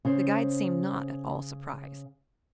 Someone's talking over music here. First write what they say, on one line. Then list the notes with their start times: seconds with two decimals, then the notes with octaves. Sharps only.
The guide seemed not at all surprised.
0.05 C#3 C5